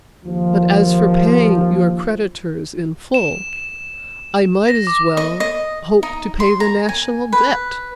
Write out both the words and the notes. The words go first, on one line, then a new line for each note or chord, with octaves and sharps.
But as for paying your creditors in full, I might as well hope to pay the National Debt.
D#2 F3
E7
E7
A#6
D6
D#5
D#5
D#4
C6
A#5
G#5
B4